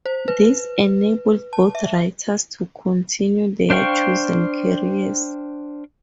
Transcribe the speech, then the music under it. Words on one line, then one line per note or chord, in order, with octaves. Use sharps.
This enabled both writers to continue their chosen careers.
C5
B4
A5
E5
D4 C5 F5 G5 C#6